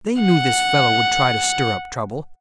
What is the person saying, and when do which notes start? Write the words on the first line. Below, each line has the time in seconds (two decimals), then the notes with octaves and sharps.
They knew this fellow would try to stir up trouble.
0.22 F#5